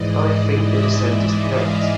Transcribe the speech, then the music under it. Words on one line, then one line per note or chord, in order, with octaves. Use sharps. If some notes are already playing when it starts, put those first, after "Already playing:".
I think the dissent is correct.
Already playing: G#2 E3 G#3 D5 D#5
E5
F5